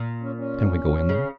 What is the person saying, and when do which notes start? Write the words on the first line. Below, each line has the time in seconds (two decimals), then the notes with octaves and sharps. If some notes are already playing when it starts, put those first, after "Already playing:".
"Can we go in there?"
Already playing: A#2
0.22 C#4
0.37 C#4
1.09 C#3